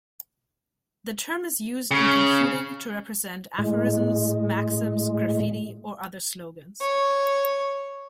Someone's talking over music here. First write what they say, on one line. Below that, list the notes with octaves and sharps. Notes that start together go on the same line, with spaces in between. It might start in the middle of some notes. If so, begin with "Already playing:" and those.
The term is used in computing to represent aphorisms, maxims, graffiti or other slogans.
C#3
A2 G#3
C#5